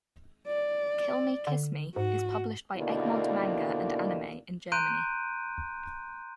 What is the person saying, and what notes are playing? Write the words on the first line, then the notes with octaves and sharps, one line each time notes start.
"Kill Me, Kiss Me" is published by Egmont Manga and Anime in Germany.
D5
D3
G#2 F#4
D#2 B2 D3 A#3 E4 D5
A#5 C6 F#6 G6 D7 D#7